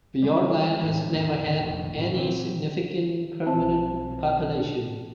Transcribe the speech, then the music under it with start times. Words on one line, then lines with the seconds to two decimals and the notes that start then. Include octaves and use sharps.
Fiordland has never had any significant permanent population.
0.22 G3 G#3
0.84 A2 D3
1.13 E2 A2 D#3
1.63 F1 A#1
1.98 A2 C#3 F3 G3
2.15 A#2 E3 F#3 C4
3.46 B1 B2 E3 C4 A5